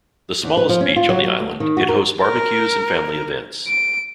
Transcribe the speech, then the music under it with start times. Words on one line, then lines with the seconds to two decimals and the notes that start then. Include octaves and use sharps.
The smallest beach on the island, it hosts barbecues and family events.
0.43 E2
0.57 B4
0.69 F3
0.81 C#4
0.96 F4
1.09 F#3
1.24 F#3
1.40 D2
1.60 D#3
1.77 F#4
1.89 A#4
2.22 A#4
3.67 D7